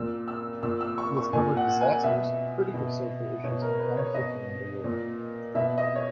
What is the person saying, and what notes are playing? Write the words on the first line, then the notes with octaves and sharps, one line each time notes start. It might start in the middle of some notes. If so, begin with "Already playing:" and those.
He has covered disasters, critical social issues and conflict around the world.
Already playing: A#2 E6
E6
A#2 E6
E6
C#6
C#6
A#2 G#5
F#5
G#5
B2 E5
B2
B2 C#5
A#4
B4
C#5
B2 D#5
A#2
B2 E5
D#5
C#5